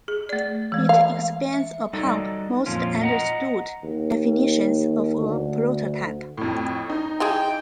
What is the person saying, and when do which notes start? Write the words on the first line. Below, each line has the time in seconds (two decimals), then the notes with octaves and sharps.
It expands upon most understood definitions of a prototype.
0.08 G#4
0.29 A3 D5
0.72 E3 G#3
0.89 F5
1.53 E5
1.93 F#3 G3 D#4 A4 D5
2.66 F2 A#2 F3 C#4 F4
3.01 D#5 F#5 A#5
3.83 D#2
5.20 D2
6.38 F2 A2
6.90 D#4
7.20 E3 G#3 G#4 G5